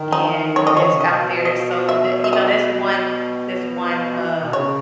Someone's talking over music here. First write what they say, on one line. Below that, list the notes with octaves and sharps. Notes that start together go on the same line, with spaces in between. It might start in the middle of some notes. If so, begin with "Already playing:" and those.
and that's out there, so, that you know, that's one that's one, of
Already playing: D#3
D#4
F#3 C#5
E3 D#5
D#3 C#5
C#3
B2 D#5
D#5
E5
E5
D#5
B2
C#3 C#5